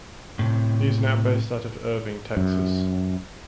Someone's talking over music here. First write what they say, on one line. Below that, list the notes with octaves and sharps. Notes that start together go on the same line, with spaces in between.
He is now based out of Irving, Texas.
A2 C3
F#2